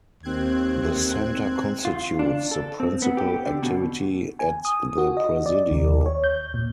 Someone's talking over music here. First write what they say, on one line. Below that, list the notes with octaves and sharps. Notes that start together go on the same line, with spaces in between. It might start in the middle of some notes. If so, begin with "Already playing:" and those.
The center constitutes the principal activity at the Presidio.
D#2 C4 F#6 G#6
F4
D4
A4
C4
B3
G4
D3
B2
G#5
D#6
F#4
D#5
D5
D#2
C#5
G6
A#2